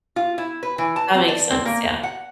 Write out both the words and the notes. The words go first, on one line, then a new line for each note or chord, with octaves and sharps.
That makes sense, yeah.
F4
E4
B4
E3
A5
C4
D5
C4
A#3
F#5